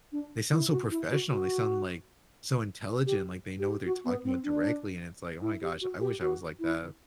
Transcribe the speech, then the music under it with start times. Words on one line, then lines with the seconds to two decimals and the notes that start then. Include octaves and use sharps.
"They sound so professional. They sound, like, so intelligent. Like, they know what they're talking about directly," and it's, "Oh my gosh. I wish I was like that."
0.12 D4
0.52 E4
0.71 F#4
0.91 E4
1.11 F#4
1.30 F#4
3.06 G4
3.59 G4
3.86 F#4
4.05 B3
4.25 C4
4.44 D4
5.42 E4
5.62 G4
5.81 F#4
6.00 G4
6.20 F#4
6.59 E4